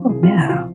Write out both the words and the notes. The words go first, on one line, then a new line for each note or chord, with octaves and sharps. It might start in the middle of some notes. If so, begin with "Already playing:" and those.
Oh, yeah.
Already playing: F3
C2 G#4
C3 F4
C2 E4
F3 F4